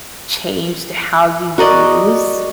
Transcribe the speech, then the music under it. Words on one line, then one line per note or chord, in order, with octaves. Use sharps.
changed how you use,
F#4 A#4 D5 D#5